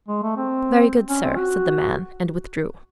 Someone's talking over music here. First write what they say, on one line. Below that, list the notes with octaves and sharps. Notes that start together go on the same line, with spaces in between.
"Very good, sir," said the man and withdrew.
G#3
A3
C4
C#4
C4
F#4